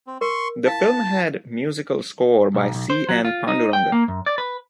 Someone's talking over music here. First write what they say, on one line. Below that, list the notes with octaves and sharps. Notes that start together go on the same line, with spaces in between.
The film had musical score by C. N. Panduranga.
C4
A#4 C6 C#6
E4 F5 A5
B1
B1
C5
F#3
F4
D#4
G5
A#3
F#2
D5
B4